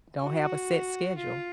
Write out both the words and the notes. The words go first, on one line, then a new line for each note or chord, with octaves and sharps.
Don't have a set schedule.
F#4
F4